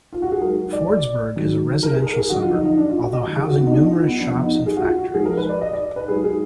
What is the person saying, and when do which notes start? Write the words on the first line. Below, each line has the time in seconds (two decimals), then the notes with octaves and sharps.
Fordsburg is a residential suburb, although housing numerous shops and factories.
0.13 F4
0.22 F#4
0.31 G#4
0.41 F#3 A#4
0.45 G#2
0.73 D5
0.88 D5
1.36 F#2 D#3 F#3
1.83 A#4
1.95 G#4
2.06 A#4
2.18 G#4
2.30 F2 D3 F#3 F#4
2.42 F4
2.54 D#4
2.65 D#4
2.77 D4
2.89 F4
3.01 F#4
3.13 D#5
3.24 F#2 D#3 F#3
3.36 G#4
3.48 F#4
3.60 B3
3.67 D#4
3.72 D4
3.84 D#4
3.95 F4
4.07 B3
4.19 F2 F3 D4
4.31 B3
4.43 D#4
4.55 D#4
4.66 G#4
4.77 F#4
4.82 F4
4.98 F#4
5.13 G#2 F3 G#4
5.26 A#4
5.37 B4
5.49 D5
5.61 D#5
5.73 D5
5.96 B4
6.08 G#2 F#3 G#4
6.24 G#4